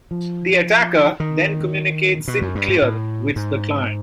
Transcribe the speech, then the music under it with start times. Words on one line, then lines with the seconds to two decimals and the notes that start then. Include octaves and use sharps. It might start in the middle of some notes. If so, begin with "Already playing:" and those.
The attacker then communicates in clear with the client.
0.11 F3
1.20 D#3
2.28 B2
2.42 F#2
2.55 G2
2.68 G#2
2.82 A2
3.36 G#2